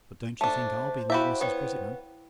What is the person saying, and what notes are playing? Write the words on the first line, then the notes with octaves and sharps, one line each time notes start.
But don't you think I'll be like Mrs. Prettyman.
A3 D4 C5 A5
E4 F#4 G4 E5 F5 B5
B3 C#5 G5